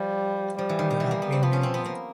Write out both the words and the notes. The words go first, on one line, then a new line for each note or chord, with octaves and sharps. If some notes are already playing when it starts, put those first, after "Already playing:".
There have been many more.
Already playing: F3 G3
F3 G3
E3
D#3
D#3
E3
A#3
B3
C4
F3 B3
C#4
C4
B3
A#3